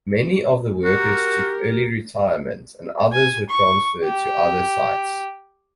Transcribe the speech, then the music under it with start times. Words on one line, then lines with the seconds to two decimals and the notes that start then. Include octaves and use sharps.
Many of the workers took early retirement and others were transferred to other sites.
0.85 F#4 G4 A#4
3.13 G#5
3.49 C#6
4.05 G4